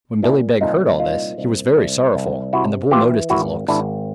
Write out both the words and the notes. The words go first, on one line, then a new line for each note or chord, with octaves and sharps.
When Billy Beg heard all this, he was very sorrowful, and the bull noticed his looks.
A#2 D4 E4
C2 D#4 F4
A#2 D#4 F4
C2
C2
C2
C3 E4 F#4
E3 F4 G4
G#1 E4 F#4
G#1 D4 E4